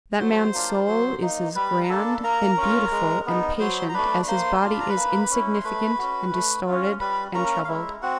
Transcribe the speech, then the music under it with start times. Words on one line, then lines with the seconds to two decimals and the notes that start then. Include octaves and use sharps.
That man's soul is as grand and beautiful and patient as his body is insignificant and distorted and troubled.
0.19 F#3 C5 C6
0.54 A#3 D4 F4
0.88 F#3
1.22 A#3 D#4
1.55 G3 B4 B5
1.84 A#5
1.90 A#3 D4 A4 A5
2.24 A#3 A#4 A#5
2.57 C#4 F4
2.91 G#3
3.26 B3 D#4
3.60 F#3 C5 C6
3.89 A#5
3.94 A3 D4 B4 B5
4.28 A#3 C5 C6
4.62 D4 F4 C6
4.71 B5
4.80 A#5
4.89 B4 B5
4.97 A#3
5.30 C#4 E4
5.53 C6
5.64 A3 B4 B5
5.99 C#4 F#4
6.33 A3
6.66 C#4 F4
7.00 G3 B4 B5
7.35 A#3 C#4 A#4 A#5
7.64 F5
7.68 G#3 E4 E5
8.02 C4 F#4 F#5